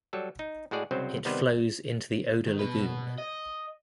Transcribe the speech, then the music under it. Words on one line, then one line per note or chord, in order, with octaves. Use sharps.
It flows into the Oder Lagoon.
F#3 G3 A4
D#4
A2 G#3 F#4 G#4 D5
C2 C#3 F#3 C4 C5
C3 D#3 G3 B3 B4 C5
D#3
B2 B4
D#5